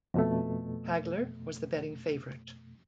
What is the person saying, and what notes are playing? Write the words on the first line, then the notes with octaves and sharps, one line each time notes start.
Hagler was the betting favorite.
F2 B2 A3